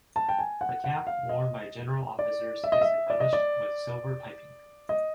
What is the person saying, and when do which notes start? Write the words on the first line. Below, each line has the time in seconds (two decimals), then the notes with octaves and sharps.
The cap worn by general officers is embellished with silver piping.
0.16 A5
0.29 G5
0.39 G#5
0.61 F#5
0.84 F#5
1.07 F5
1.29 D#5
2.19 D5
2.64 E5
2.72 D#5
2.81 E5
3.10 D5
3.20 D#5
3.33 D5
4.89 D#5